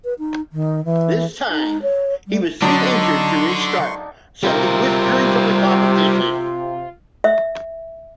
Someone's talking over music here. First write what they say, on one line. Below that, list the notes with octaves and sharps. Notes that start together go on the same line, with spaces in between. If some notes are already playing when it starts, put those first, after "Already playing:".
This time he was too injured to restart, so he withdrew from the competition.
B4
D#4
D#3
E3
D#4
C#5
G3
D3 F#3 D4 D#4 C6 C#6
C3 G3 F4 A#4
E5